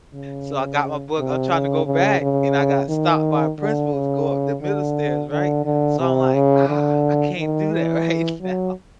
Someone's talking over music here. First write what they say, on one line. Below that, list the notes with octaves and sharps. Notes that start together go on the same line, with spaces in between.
so I got my book. I'm trying to go back, and I got stopped by a principal to go up the middle stairs, right, so I'm like, "Ah, I can't do that right now."
C#3
C3
C#3
C#3
C#3
D#3
D3
C#3
D3
D3
D3
C3
C#3
D3
D#3
E3
F#3